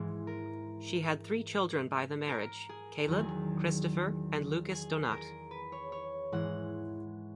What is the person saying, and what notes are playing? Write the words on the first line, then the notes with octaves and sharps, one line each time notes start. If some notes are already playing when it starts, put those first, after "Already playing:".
She had three children by the marriage; Caleb, Christopher, and Lucas Donat.
Already playing: G#2 E3 G#3
A#4
A#4
G#4
E2 D#3 F#3 G#4
G#4
A#4
B4
C#5
C#5
G#2 E3 G#3 F#5